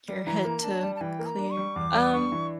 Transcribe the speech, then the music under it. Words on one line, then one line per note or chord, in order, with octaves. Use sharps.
your head to clear. Um
G3
E3 A#5
A#3
D4 A5
G3
A5
E3 G5
A#3
A#5
D4
C#6
G3
E2 D6
G3
D4 C#6
E3